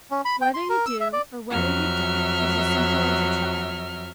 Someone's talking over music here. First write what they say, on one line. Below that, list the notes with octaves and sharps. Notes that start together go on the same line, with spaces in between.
Whether you do or whether you don't, he's as simple as a child.
C#4
B5
G5
C6
A#4
E6
E5
D5
F2 F#3 E5 F6